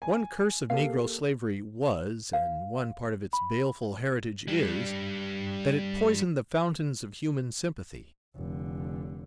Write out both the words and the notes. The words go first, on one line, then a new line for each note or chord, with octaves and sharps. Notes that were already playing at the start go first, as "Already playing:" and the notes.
One curse of negro slavery was, and one part of its baleful heritage is, that it poisoned the fountains of human sympathy.
G#5
A#3 G4 A4 F5
F5
B5
G3 D4
F1 D3